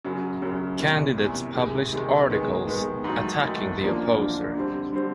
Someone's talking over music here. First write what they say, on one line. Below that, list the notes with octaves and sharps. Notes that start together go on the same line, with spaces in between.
Candidates published articles attacking the opposer.
F#2 C#3 F#3
F#2 C#3 F#3
E2 C3 D#3
E2 C3 D#3
C3 D#3 G#3
C3 D#3 G#3
D#3 G#3 B3
D#3 G#3 B3
G#2 D#3 F#3 A3
G#2 D#3 F#3 A3
F#2 D3 F3 A#3 D4
F#2 D3 F3 A#3 D4
D3 G3 C4
D3 G3 C4